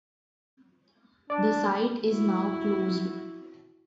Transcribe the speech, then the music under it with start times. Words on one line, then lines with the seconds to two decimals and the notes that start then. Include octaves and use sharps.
The site is now closed.
1.30 D4 D5 D6
2.07 E4 F#4